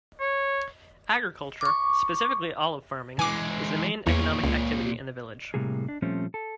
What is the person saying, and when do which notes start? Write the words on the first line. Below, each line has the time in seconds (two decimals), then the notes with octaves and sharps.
Agriculture, specifically olive farming, is the main economic activity in the village.
0.20 C#5
1.61 C#6 D6
3.19 E3 G#3 G#5 D6
4.07 E2 A#2 C#5
4.44 C#2
5.54 A2 C3 G3 A#3 G#4
5.89 D4
6.02 A#2 F3 G3 A3 C4 C#4
6.34 A4